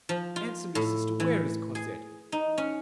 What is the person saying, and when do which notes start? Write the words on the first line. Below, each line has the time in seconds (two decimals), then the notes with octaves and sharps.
Answer me, sister; where is Cosette?
0.09 F3
0.36 F4
0.75 A2
1.20 E3
1.75 G#4
2.32 D#4
2.58 C#4